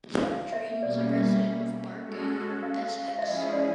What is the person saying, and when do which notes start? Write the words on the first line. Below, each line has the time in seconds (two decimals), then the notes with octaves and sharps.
Drain was a resident of Barking, Essex.
0.23 F5
0.52 E5
0.82 B2 G3 A#3 C#4 D5
1.13 E5
2.03 G#3 C#4 F#4 A4
2.63 F5
2.78 F5
3.08 F5
3.18 E5
3.23 F3 G#3 C#4 E4 G#4 D#5
3.53 D5